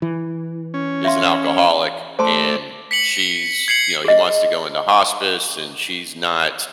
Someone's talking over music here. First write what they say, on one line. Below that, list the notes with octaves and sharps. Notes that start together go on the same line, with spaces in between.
is an alcoholic and she's, you know he wants to go into hospice and she's not
E3
C#4
E5 F5 C6
A3 C5 D5 A5 C6
B6 C#7 F#7
G#6 C7 C#7 F#7
G#4 D#5